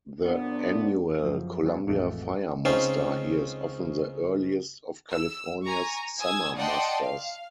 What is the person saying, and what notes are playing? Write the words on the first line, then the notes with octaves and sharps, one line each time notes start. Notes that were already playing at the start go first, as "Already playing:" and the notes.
The annual Columbia Fire Muster here is often the earliest of California's summer musters.
A#2 F#3 B3 C4 D4
F#2 F3
F#3 C#4 D4 B4
A1 F2 G#3 A3
C#2 C4 C#4 D#4 F4 C5
E6
G#5 A#5 C#6
G#5 D#6 E6 G#6
D5 D#5 F#5 G5 A5 C6
F5